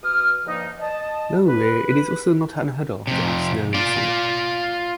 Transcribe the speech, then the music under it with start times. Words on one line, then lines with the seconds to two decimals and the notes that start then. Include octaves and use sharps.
Though rare, it is also not unheard of to have snow in the summer.
0.03 B2 D#6 F6
0.46 G2 F3 A#3 D#4
0.80 D#5 A5
1.47 B4
3.07 F2 C3
3.74 F4 D5